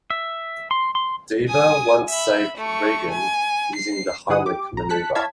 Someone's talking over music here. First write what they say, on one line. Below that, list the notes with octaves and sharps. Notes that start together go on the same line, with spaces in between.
Deaver once saved Reagan using the Heimlich maneuver.
E5
C6
C6
G#5 D#6
E5 B5
A3 C#6
G#5
C7
G2 D3 E4 G#4 F#5 D#6
G4 D6
A#1 A#5
A5 F#6 B6 C#7
E4 C#5 F5 A5 G#6 B6